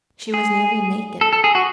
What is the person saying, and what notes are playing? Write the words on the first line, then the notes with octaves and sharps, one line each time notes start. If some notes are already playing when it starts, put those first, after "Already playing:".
She was nearly naked.
G#4
A4
A4
G#4
F#4